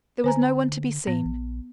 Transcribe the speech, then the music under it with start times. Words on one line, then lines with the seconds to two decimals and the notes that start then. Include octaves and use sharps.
There was no one to be seen.
0.24 D3 C5 G#5 A#5
1.07 A2 B3
1.25 A#1